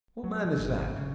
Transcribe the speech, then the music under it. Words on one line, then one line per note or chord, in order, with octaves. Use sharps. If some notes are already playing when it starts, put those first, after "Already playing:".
"What man is that?"
F#3
G#3
F#1
G#1
C#3